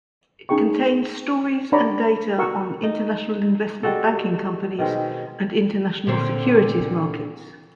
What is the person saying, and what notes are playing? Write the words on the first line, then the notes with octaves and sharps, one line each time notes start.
It contains stories and data on international investment banking companies and international securities markets.
C#4 D#4 G#4 G5 C#6
D4 B4 C#5 D5 A#5 B5
F#4 A#4 F#5 A#5 C#6 E6
D#4
G3 G#3 F#4 A4
B2 D#3 G#3 C4
A#2 D3 C4